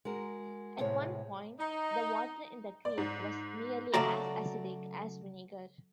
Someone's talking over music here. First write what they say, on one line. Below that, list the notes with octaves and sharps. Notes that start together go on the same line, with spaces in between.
At one point, the water in the creek was nearly as acidic as vinegar.
G#3 F#4 A#4
A2 C3 G#3 B3 G#4 C#5
D#4
D5
G#2
C#3 F#3 A3 F#4 D5 A#5